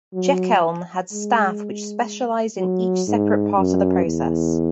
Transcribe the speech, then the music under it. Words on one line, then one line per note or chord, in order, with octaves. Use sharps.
Jeckeln had staff which specialised in each separate part of the process.
F#3
G#3
F#3
G#2
F#2
E2